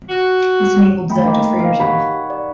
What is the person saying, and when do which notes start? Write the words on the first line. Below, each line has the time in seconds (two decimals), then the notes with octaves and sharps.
This enabled Zev to free herself.
0.09 F#4
1.10 A3 G5 B5
1.24 D#3 A#3
1.59 F5
1.80 G4 C#5 F#5 B5
2.30 D5